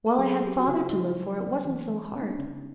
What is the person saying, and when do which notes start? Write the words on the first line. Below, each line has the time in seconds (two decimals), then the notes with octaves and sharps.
While I had Father to live for it wasn't so hard.
0.06 A4
0.18 F#3 G#4
0.44 A#3 G4
0.58 F#4
0.68 C#3 F4
0.81 E4
0.92 C#3 D#4
1.17 F#3
1.41 A#3
1.65 E3
1.90 G#3
2.14 B3
2.21 D#4
2.30 D4
2.39 C#3 C#4